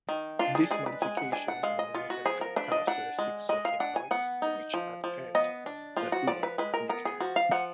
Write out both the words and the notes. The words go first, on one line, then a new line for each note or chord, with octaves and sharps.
This modification eliminated the characteristic "sucking" noise which had earned the "Hoover" nickname.
D#3
D4 F4
G#4
G#3 G#4
B4
G#3 G#5
F#5
D4 G#5
F#5
G#3 F5
D#5
B3 F4
F#4
F3 G#4
A#4
D4 B4
D#5
D4 F#5
G#3
G#3 D#5
F5
D4 F#5
G#5
B3 F#5
D#4
F3
F3
B3 D#5
D4
F3 F4
F#4
F3 D5
B4
G#3 B4
A#4
B3 A#4
G#4
F3 F#4
F5
F3 F#5